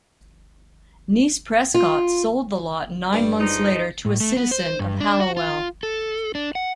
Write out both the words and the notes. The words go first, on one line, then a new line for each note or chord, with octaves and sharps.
Niece Prescott sold the lot nine months later to a citizen of Hallowell.
F4
G2 G3
F3 G#3 D#4
A2
A3
B3
C5
G2
D4
F#4
F4
A4
D4
F#5